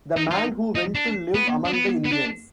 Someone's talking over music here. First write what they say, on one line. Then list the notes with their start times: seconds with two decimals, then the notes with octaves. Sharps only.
The man who went to live among the Indians.
0.17 D#4
0.31 F4
0.37 D#4
0.75 D#4
0.95 D4
1.34 B3
1.65 D4
1.73 B3
2.05 B3
2.13 D4